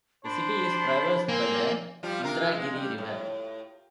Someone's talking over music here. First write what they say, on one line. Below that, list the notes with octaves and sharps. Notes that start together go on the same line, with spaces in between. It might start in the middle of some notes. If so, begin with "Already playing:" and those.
The city is traversed by the Indragiri River.
D4 C5 B5
A#3 C4 G#5
F3 G3 F4
C3 F4 A#4
G#3
G3
A2